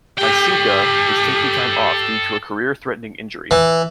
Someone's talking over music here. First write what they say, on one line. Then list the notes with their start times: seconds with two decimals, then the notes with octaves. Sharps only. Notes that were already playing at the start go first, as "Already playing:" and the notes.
Myskina is taking time off due to a career-threatening injury.
0.18 G4 A4 G5
3.51 E3